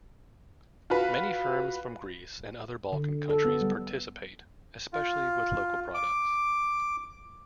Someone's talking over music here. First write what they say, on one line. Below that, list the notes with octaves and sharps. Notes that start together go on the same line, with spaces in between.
Many firms from Greece and other Balkan countries participate, especially with local products.
F4 F#4 B4
D3
A4
B3
G3
F4
D6